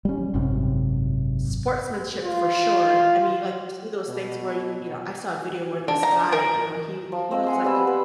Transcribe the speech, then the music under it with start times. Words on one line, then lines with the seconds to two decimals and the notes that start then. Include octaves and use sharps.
Sportsmanship for sure. I mean, like, you see those things where y you know, I saw a video where this guy, you know, he he looks like
0.05 G3 C#4
0.34 G#1 F#2 C3
2.23 F4
4.08 B2
5.88 D4
6.03 A#5
6.32 A#4
7.12 F3
7.31 C4 D#5 F5 E6
7.46 F#5 G#5 C6
7.65 G3 B3 E6
7.87 B4